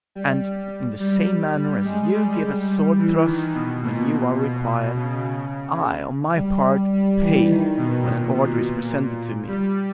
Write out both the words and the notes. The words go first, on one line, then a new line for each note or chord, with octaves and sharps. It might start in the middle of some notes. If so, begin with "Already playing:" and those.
And, in the same manner as you give a sword-thrust, when you are required, I, on my part, pay when an order is presented to me.
G3
G3
G#3
G3
E3
D#3
B2
A#2
B2
B2
C#3
G3
G3
E3
D#3
B2
A#2
B2
A#2
G3